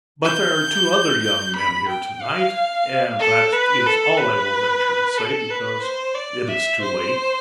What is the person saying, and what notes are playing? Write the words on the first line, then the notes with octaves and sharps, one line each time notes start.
But there are two other young men here to-night, and that is all I will venture to say, because it is too late.
G6
G6
B5
G5
F5
A4
B4
A4
B4
A4
B4
C5
D5
E5
C5